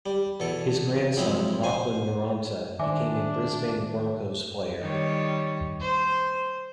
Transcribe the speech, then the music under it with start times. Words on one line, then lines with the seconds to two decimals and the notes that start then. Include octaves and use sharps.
His grandson Lachlan Maranta, became a Brisbane Broncos player.
0.06 G3
0.40 E2 B2 A4
1.17 F2 F#3 G#3 C4 E4
1.64 C5 G#5
2.79 D#3 D4 C5 D5 E5 G#5 D6
4.81 D#3 G3 C#5
5.80 C5